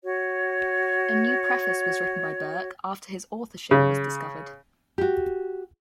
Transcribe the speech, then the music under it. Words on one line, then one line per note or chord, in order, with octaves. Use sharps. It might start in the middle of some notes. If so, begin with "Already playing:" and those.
A new preface was written by Burke after his authorship was discovered.
F#4 C#5
C#3
F#4 G4